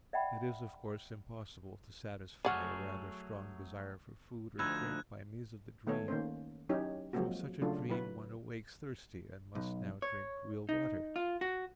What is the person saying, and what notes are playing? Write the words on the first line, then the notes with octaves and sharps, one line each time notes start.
It is of course impossible to satisfy a rather strong desire for food or drink by means of the dream; from such a dream one awakes thirsty and must now drink real water.
D5 E5 F#5 G5 B5
F#3 A3 G#4 D5 F#5 C#6 F6
D2 F3 D4 D#4 B5 E6 F#6 G#6
D#3 A3 B3 A4 C#5
D#3 A#3 C#4 C5
F#3 C#4 D#4 E4 G4 C#5
F3 F#3 G#3 A#3 C4 F#4
C#3 F#3 A3 D4 F4 A4
F#3 E4 B4
B1
C#5
D#4
F4
F#4